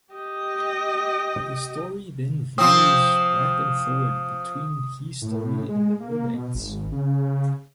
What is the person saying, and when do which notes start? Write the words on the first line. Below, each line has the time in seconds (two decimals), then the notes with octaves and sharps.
The story then veers back and forward between his story and the mermaid's.
0.14 G4 D#5
2.58 F3 C4 D#6
5.22 A2
5.68 G#3
6.00 A#3
6.33 B2
6.55 G#1
6.92 C#3